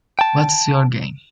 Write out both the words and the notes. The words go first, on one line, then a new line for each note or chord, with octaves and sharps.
What’s your game?
G5 A5